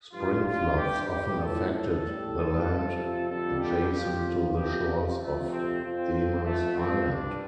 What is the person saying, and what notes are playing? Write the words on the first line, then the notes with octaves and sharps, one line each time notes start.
Spring floods often affected the land adjacent to the shores of Demers Island.
G2 F3 F4
F4
G2 G3 G4
G4
A2 F3 A4
A4
A2 G3
F2 C3 F3
F2 D3 G3 A4
G4
F2 F3 G4
F2 C3 F3 G4
F2 C3 F3 A3
C4
F2 F3 C4
C4
F2 F3 A3
C4
G2 G3 D4